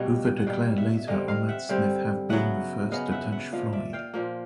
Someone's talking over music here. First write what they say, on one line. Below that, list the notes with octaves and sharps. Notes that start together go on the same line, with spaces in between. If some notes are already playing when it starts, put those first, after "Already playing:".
Hoover declared later on that Smith have being the first to touch Floyd.
Already playing: B2 G3 A#3 D4 C#5 D#5
F#5
B2 G3 A#3 D4 F5 G5
E5 F#5
E5
D3 G3 C4 D#5 F5
D#5 F5
E5 F#5
D3 G3 C4 F5 G5
C#3 F#3 B3 E5 F#5
C#3 F#3 B3 D#5 F5
E5 F#5
E5 F#5
A#2 F3 A#3 D#5 F5
D5 E5
F5 G5
A#2 F3 A#3